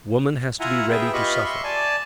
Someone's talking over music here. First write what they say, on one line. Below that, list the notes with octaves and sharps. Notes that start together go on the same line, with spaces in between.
Woman has to be ready to suffer.
E4 F4 E5 F#5 G#5 A#5
B3 G#4 E5 G5
F4 G4 B4 D#5 B5 C#6
E5 C6 C#6
D5 G#5 A5